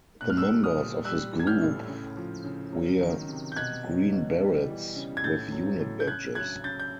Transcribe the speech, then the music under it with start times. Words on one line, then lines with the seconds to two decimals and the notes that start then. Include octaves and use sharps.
The members of this group wear green berets with unit badges.
0.21 A#2 F#6
0.30 F6
0.37 E6 F#6
0.50 G3
0.64 D#6 F6
0.77 A#2
1.05 G3 E6 F#6
1.33 E3
1.40 G#6
1.47 F6 G6
1.61 A2
1.88 C#3
2.17 F3
2.45 C#3
2.73 F#3
3.01 D#3
3.28 C3
3.52 G6
3.56 B2 F#6 G#6
3.84 F#3
4.12 B2
4.40 G3
4.68 E3
4.96 C#3
5.17 G#6
5.23 A2 G6 A6
5.52 F#3
5.79 A2
6.00 G6
6.07 C#3 F#6 G#6
6.35 F#3 F#6 G#6
6.64 C#3 G6 A6
6.80 G6